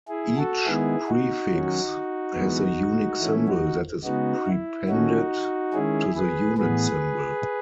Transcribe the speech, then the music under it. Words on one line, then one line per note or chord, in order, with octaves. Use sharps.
Each prefix has a unique symbol that is prepended to the unit symbol.
E4 G#4
F#4 A4
D#3 G#3 B3 E4 G#4
D#4 F#4
D#3 F#3 C#4
E3 G#3 B3
E3 A3 C#4 E4
D#4 F#4
C#3 G#3 B3 D#4 F#4
E4
D#3 A3 C#4 D#4 F#4
D#3 G#3 C#4 E4 G#4
G#4 B4
A2 E3 B3 G#4 B4